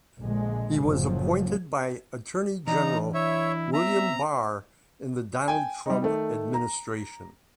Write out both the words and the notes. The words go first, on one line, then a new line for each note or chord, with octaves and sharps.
He was appointed by Attorney General William Barr in the Donald Trump administration.
A#1 D3 G#3
F#1 A2 C#3 F3 F#3
E3 D4 D#4 D5 A#5
E4 C#5 E5
B3 C4 E5 A#5
G5 G#5
G3 D#4
D#3 A3
A#5